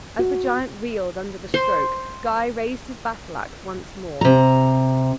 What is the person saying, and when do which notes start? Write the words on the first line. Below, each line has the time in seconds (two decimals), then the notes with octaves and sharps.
As the giant reeled under the stroke, Guy raised his battle-axe once more.
0.19 F#4
1.54 C5
4.21 C3 A#5